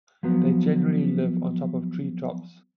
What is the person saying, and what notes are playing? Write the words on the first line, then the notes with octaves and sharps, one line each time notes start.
They generally live on treetops.
F3 F#3 B3